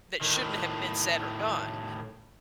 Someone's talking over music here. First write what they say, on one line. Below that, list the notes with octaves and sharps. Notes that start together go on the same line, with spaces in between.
that shouldn't have been said or done,
A2 D#3